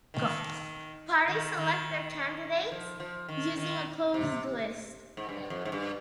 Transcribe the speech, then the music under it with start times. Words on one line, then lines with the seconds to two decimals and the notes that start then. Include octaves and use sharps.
Parties select their candidates using a closed list.
0.14 D#3
1.28 D#3
1.57 D#3
2.71 F3
3.00 F3
3.28 D#3
3.57 D#3
4.14 C3
5.17 G#2
5.29 G2
5.50 F2
5.65 G#2
5.72 G2